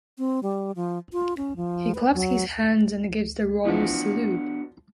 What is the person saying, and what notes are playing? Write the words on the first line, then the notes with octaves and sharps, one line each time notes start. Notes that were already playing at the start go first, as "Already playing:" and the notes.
He claps his hands and gives the royal salute.
C4
G3
F3
F4
C#4
F3
B4
F#3
E3 F3 B3 D4 F#4